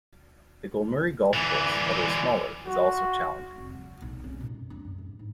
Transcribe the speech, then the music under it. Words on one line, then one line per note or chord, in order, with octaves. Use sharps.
The Golmuri Golf Course although smaller is also challenging.
D3 E3
F#4
F1
F3
B1
C#4
B2
F#2
D4
F#2
A1
G#2